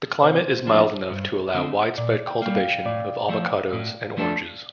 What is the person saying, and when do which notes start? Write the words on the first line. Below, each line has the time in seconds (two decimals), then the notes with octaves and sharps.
The climate is mild enough to allow widespread cultivation of avocados and oranges.
0.23 C3 C5
0.67 F3 A#3 D4 F4
1.10 G2
1.54 D3 A3 C4
1.98 A#2 D5
2.27 G5
2.42 G3 A#3
2.56 F5
2.85 A2 D5
3.29 F3 A3
3.73 A2
4.17 F3 A3 D4 A4